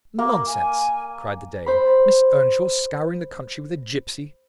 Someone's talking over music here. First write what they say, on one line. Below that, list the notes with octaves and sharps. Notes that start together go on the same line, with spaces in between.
Nonsense!" cried the dame; "Miss Earnshaw scouring the country with a gipsy!
A#3
G#5
C5 B5